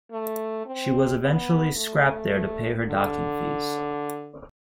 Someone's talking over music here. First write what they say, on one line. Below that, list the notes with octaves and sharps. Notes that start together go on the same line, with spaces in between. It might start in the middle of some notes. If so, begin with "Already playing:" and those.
She was eventually scrapped there to pay her docking fees.
A3
C4
B3
A3
D3